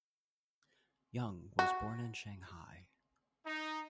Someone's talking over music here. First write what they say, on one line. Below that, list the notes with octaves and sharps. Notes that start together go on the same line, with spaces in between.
Young was born in Shanghai.
F#4
D#4